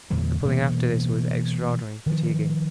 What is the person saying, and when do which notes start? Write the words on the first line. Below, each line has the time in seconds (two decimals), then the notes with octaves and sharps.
The pulling after this was extraordinarily fatiguing.
0.10 E2 A#2 D3 F#3
0.45 B2 E3 A#3 B3
2.06 D#3 F3